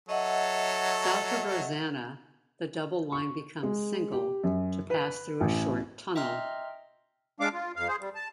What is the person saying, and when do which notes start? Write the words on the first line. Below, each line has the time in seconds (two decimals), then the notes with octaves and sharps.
South of Rosanna, the double line becomes single, to pass through a short tunnel.
0.09 F#3 A4 D#5 E5 F#5
3.12 C#6
3.63 G#3
4.12 G4
4.44 F#2
4.90 B4
5.40 A1
6.15 D#5 E5 G5 A#5 C6 F6
7.40 G#3 D4 F5 D6
7.53 F4
7.76 F2 F5
7.88 G#4 C5
8.00 G3
8.15 A5